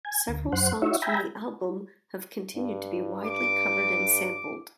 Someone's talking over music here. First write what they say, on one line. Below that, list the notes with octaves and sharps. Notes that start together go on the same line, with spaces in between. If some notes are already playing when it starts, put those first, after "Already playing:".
Several songs from the album have continued to be widely covered and sampled.
G#5
D2
F#2 C5 F#5
D#4 E4 F#4 C#5 E5
E5 G5 G#5 A#5 B5
G2
D6